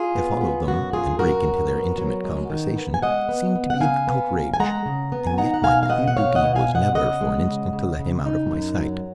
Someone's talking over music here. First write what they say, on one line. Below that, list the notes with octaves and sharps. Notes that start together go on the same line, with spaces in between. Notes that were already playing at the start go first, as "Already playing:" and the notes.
To follow them and break into their intimate conversation seemed to be an outrage, and yet my clear duty was never for an instant to let him out of my sight.
Already playing: F4 G#4
B3
B3
F#2 F#4
F#2 F4 G#4
F#2 F#4 A#4
F#2
B3
F#3
G#3
D#3
B3
G#5
G#3 D#5 F#5
B3
B3
F#5
C#3 F5 G#5
B3
C#3
G#5
G#3 F#5 A#5
C#3
B3
G#5
D#4 F#5 A#5
F#5
B2 F5 G#5
F5
B2 D#5 F#5
F#5
B2 C#5 F5
D#5 F#5
B2
F5 G#5
B2
D#5 F#5
C#3 D#5 F#5
G#3
C#3
C#3
C#3
D#4
F#2
F#3